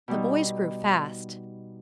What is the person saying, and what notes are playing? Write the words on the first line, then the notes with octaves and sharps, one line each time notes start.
The boys grew fast.
B2 G3 D#4